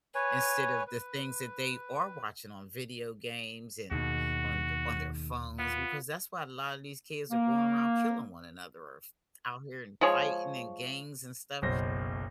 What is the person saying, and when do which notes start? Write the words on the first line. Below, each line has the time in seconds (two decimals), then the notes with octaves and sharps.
instead of the things that they are watching on video games, and on the on their phones because that's why a lotta these kids are going around killing one another or f out here and fighting in gangs and stuff,
0.15 B4 C#5 G#5
0.87 B4
3.91 D#2 B2 D#3 D#4 F#4 G#4
5.59 B3 F4 F5
7.30 A#3
10.01 F3 G#3 G#4 C#5
11.62 F#1 B1 B2 C5 A#6